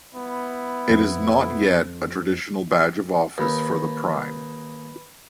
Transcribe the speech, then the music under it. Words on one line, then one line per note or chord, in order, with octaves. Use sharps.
It is not yet a traditional badge of office for the Prime.
B3 E4
F2
D#2 B4 B5